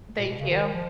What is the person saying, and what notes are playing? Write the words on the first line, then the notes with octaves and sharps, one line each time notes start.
Thank you.
A#2
B2
C#3
D#3
F3